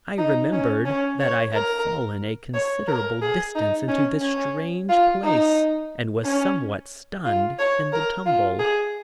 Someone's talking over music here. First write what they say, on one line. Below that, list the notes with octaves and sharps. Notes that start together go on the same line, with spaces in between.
I remembered that I had fallen a considerable distance into this strange place and was somewhat stunned in the tumble.
D#4
C#4
C#4
C#5
A#4
C#5
A#4
G#4
D#4
C#4
C#4
F4
D#4
C#4
F4
C#5
A#4
F4
G#4